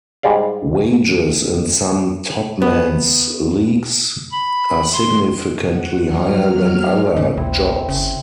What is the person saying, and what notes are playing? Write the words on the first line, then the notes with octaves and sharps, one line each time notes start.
Wages in some top men's leagues are significantly higher than other jobs.
G#2 G3 G#3 D5 F5
B3
B5
C6
F#5
F#3 F6
G#2 C#3
A#1 D#2 C4 E4
E2
F#1 C#3